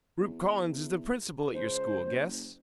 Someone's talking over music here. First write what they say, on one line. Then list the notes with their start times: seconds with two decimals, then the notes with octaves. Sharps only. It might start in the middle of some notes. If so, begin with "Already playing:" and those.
"Rupe Collins is the principal at your school, guess."
0.19 E2
1.53 C#2 C5
2.04 F#1